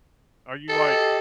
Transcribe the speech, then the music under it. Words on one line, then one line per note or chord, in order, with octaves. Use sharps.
"Are you like"
G4 A4 D#5